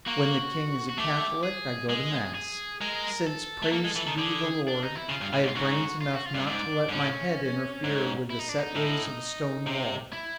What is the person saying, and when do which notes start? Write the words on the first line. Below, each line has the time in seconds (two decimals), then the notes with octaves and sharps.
When the king is a Catholic I go to Mass; since, praised be the Lord, I have brains enough not to let my head interfere with the set ways of a stone wall.
0.06 A#3 F#4
0.89 F#4
0.98 A3 G4
1.43 G#4
1.89 G#3 G#4
2.35 G#4
2.81 G#3 A#4
3.27 A4
3.63 A3
3.72 A#3 A4
3.84 G#3
3.96 E3
4.07 D#3
4.18 D3 G#4
4.68 D4
4.83 D#4
4.95 E4
5.09 C#3 F4
5.21 G2
5.33 A2
5.44 G#2
5.48 F4
5.55 G#2 F#4
6.01 F4
6.13 F#4
6.26 F4
6.34 G2
6.47 G#2 D4
6.89 G#2
6.92 A2 C#4
7.84 G#2
8.30 E4
8.39 D#4
8.49 D4
8.58 D#4
8.76 A2
9.67 C3
10.13 E4